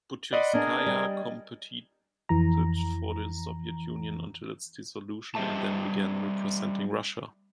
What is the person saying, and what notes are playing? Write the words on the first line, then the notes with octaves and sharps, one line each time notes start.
Butyrskaya competed for the Soviet Union until its dissolution and then began representing Russia.
D5 D#5 F#5 B5 C6
B3 D4 G#4 A#4
G3
F2 E3 A#5
G3 C5 D#5 E5 A5